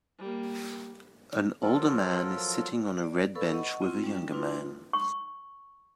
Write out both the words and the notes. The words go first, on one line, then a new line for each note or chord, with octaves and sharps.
An older man is sitting on a red bench with a younger man.
G3 A#3
F3 F#3 F4 A4 A#4
D5
A4 B4 F5 B5 C#6 E6
D#5 F#5 C#6
C4 E4 F4
G3 C#4
D4 E4 F4 B4 C6
C#6